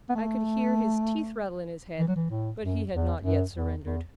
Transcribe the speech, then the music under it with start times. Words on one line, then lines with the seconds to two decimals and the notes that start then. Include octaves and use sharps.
I could hear his teeth rattle in his head, but he had not yet surrendered.
0.09 B3
0.15 A3
1.99 E3
2.08 F#3
2.16 E3
2.30 A2
2.61 F#2
2.91 E2
3.22 F#2
3.54 E2
3.84 E2